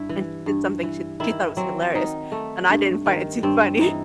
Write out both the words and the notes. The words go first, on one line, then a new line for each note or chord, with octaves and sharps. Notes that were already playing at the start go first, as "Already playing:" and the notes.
And she did something sh she thought was hilarious, and I didn't find it too funny.
Already playing: G2 E4
E3
G2
E3
D#3 E4
F#3 C4
D#3 D#4
A3
G2
D#3
G2 C4
E3 D#4